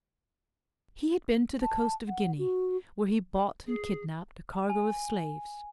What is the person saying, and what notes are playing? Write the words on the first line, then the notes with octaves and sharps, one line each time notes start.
He had been to the coast of Guinea, where he bought and kidnapped a cargo of slaves.
A5
F#5
F#4
G#4
G#5